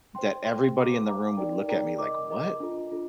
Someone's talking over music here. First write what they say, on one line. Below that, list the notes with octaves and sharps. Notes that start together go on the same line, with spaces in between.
that everybody in the room would look at me like, "What?"
C5 G5 C6
C5 G5 C6
C5 F5 A#5 D6
C5 F5 A#5 D6
D#4 A#4 D5 G5 A#5
D#4 A#4 D5 G5 A#5
A#4 D#5 A#5 D6
A#4 D#5 A#5 D6
D4 F4 A4 D#5
D4 F4 A4